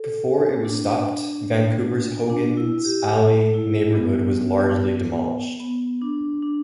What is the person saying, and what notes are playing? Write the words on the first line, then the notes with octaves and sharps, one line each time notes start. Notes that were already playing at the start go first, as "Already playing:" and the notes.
Before it was stopped, Vancouver's Hogan's Alley neighbourhood was largely demolished.
Already playing: A4
D4
D4
E4
G4
A4
E4
B3
B3
D4
D4